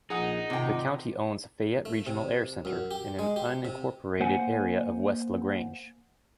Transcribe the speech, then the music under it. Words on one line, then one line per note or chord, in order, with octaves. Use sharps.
The county owns Fayette Regional Air Center, in an unincorporated area west of LaGrange.
A#1 D#4 G#4 F#5 D#6
G#1 C3 F4 G5
A3
C3
F#2
G4
G#3
G4
C3
A#3 C5 F#5 G#5